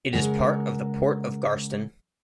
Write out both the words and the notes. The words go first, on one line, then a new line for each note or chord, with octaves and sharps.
It is part of the Port of Garston.
C#3 G#3 A#4 F#5